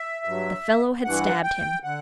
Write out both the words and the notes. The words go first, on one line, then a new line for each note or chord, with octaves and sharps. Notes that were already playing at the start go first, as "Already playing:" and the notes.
The fellow had stabbed him.
Already playing: E5
G2 F#3
G2 E3 F#5
G5
D3 F#5